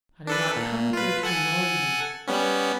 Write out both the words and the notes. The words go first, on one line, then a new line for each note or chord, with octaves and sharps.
I did not come here to annoy you.
D4 A4 B4
A#2
F4 B4
A4 F#5 G#5
G3 B3 C#4